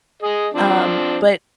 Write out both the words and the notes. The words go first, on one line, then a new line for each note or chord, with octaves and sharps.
Um, but
G#4 D#5
F3 C4 D4